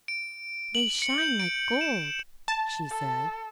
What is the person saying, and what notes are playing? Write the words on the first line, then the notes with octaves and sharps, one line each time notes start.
"They shine like gold," she said.
D7
F#7
C#7
G6
D7
E7
A5
A4